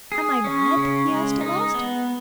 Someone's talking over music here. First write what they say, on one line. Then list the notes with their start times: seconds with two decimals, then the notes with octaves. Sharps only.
"Am I mad?" he asked at last.
0.12 G#4
0.44 C#4
0.77 C#3
1.08 G#3
1.41 D#4
1.74 B3